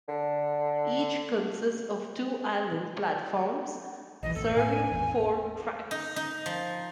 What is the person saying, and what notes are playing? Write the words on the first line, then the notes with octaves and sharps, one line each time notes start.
Each consists of two island platforms serving four tracks.
D3
A#1 E3 D#5
E1 A1 A4
A2 G#5
G#1 E2
D#4
D#4
F3